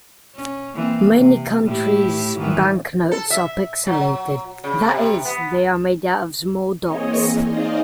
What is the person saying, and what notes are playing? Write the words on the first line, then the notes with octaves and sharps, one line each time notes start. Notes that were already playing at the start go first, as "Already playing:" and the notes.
Many countries' banknotes are pixelated-that is, they are made out of small dots.
C#4
E3 A#3 C4
C3
A2 E4 G4
G#2 D#3 E3
A4
E5
F#3
C#3
C3
B3
E3 A#3 C4 G#4 C#5 D#5
D#4 G#4 C5 D5 D#5 F5